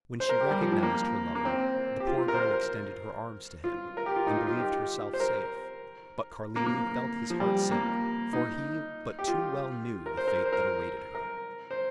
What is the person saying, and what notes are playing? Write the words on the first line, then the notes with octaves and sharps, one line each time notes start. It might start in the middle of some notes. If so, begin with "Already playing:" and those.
When she recognized her lover, the poor girl extended her arms to him, and believed herself safe; but Carlini felt his heart sink, for he but too well knew the fate that awaited her.
C5
A#4
G4
G3
F3
F3
A#3
A#3
C4
G4
F4
F4
A#4
C5
A#4
F4
A#4
G4
F4
D#4
F4
F4
G4
C5
A#4
A#3
A#3
F3
G3
A#3
D#4
G4
F4
A#4
C5
A#4
C5
A#4
A#4
C5